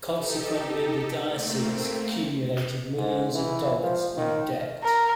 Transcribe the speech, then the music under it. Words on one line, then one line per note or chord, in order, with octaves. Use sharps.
Consequently, the diocese accumulated millions of dollars in debt.
D#4 G4 A4
A3 A#3 C4
G#2
E3
F3
D#3
A#4